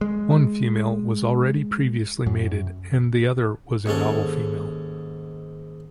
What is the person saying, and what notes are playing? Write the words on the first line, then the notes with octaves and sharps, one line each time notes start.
One female was already previously mated and the other was a novel female.
G#3
F#2
D#2 G#2 C#4 A4